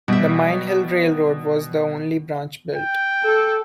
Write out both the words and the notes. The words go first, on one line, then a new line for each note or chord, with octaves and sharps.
The Mine Hill Railroad was the only branch built.
B2 G3 E5
G5
A4